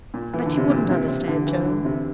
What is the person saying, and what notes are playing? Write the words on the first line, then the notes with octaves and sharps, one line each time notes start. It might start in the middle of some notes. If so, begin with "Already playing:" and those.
But you wouldn't understand, Joan.
A#2
E3
D3
C3
A#2
C3
C3
D3
E3
D3
C3